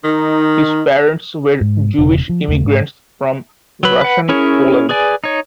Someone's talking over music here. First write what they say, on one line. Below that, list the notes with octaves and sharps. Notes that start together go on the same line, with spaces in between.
His parents were Jewish immigrants from Russian Poland.
D#3 D#4
G#2
E1 E2 C#3
F3
D#2 C#3 A3
G#2
F#3 B4
B4 F#5
C#4 E4 G#4 A#4 C#5
G#4 B4 D5 G#5
D#4 C#5